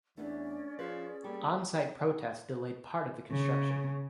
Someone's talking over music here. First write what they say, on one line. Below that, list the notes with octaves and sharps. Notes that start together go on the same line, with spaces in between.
On-site protests delayed part of the construction.
E2 A3 B3 C#4 D4 D5
F3 G#4 B4
G3 A#3 A4
C#3